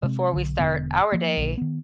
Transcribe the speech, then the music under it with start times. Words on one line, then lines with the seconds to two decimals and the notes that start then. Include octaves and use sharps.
before we start our day,
0.03 C3 G#3 C4
0.33 B1 D3
0.59 E1 D3 B3
1.12 F3 A#3
1.37 A#1 D3
1.58 D#3 B3